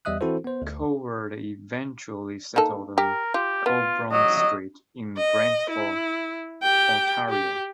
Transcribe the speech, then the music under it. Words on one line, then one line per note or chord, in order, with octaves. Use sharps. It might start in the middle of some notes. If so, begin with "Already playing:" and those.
Cowherd eventually settled on Colborne Street in Brantford, Ontario.
E2 G3 D#5 E5 D#6 F#6
E3 C4 E4 F#4 A4 C5
B3 C5
D2
A#3 D#4 A4
G4 A#4
F4 G4
B3 F4
F#3 D#5
D#5
E4
G4 G5
G4